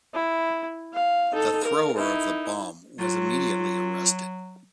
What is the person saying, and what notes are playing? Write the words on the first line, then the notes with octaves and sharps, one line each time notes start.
The thrower of the bomb was immediately arrested.
E4
F5
D#4 A4
A#4
D#4 E4
F#3 F4